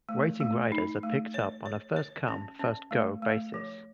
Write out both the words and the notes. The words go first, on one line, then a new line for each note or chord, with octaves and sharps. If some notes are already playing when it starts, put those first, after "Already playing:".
Waiting riders are picked up on a first come, first go basis.
A3
A3
D#4
A3
C#5
C#5
C#5
C#4
C#4
A3
A3
F3